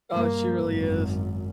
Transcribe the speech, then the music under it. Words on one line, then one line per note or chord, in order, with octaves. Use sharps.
Oh, she really is.
G2 A#3
G#1 F#2